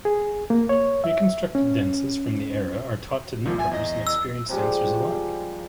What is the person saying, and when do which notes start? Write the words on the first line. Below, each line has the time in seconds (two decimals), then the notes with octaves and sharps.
Reconstructed dances from the era are taught to newcomers and experienced dancers alike.
0.05 G#4
0.50 A#3
0.69 C#5
1.04 E5
1.55 C#4
3.45 C2 A#2 F3
3.58 E5 G#5
3.71 E2 D#5
4.07 E6
4.49 C3 F3 G3 G#3